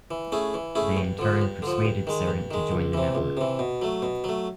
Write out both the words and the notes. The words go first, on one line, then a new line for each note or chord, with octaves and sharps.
They in turn persuaded Sarant to join the network.
E3
A3 C#4 E4 G#4
E3
A3 C#4 E4 G#4
G2
D3 F3
G2
D3 F3
G2
D#3 G#3
G2
D#3 G#3
C#2
C3 E3
C#2
C3 E3
B2
F#3 A3
B2
F#3 A3